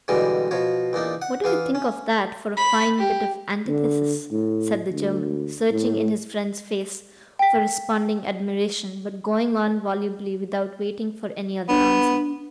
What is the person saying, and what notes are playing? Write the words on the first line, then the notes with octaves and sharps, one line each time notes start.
"What do you think of that for a fine bit of antithesis?" said the German, searching in his friend's face for responding admiration, but going on volubly without waiting for any other answer.
G2 B2 D3 E3 G3 G#3
B2 F3 C#5
E2 A#2 D4 D#4
F#5
E3 B3 F5
C#4
B5
G4
D3
A2
D2
A2
G5 B6
B3 D4